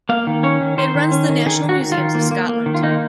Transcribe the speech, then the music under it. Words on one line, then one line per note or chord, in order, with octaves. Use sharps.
It runs the national museums of Scotland.
A#3 F5
D#3
C#4 C#5
D#3
D#3 C5
D#3
C#4
D#3
D#3 G#4
D#3
F#4
D#3
F4
D#3
A#3
A#3
A#3
D#3
F4
A#3 D#4